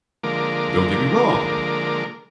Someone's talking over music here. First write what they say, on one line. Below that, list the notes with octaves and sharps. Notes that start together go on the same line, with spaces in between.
don't get me wrong,
D3 F3 G#3 A#3 A#4 D6